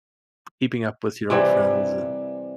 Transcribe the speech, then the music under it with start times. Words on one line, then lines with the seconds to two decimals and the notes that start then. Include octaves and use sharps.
keeping up with your old friends and
1.30 C3 E3 G3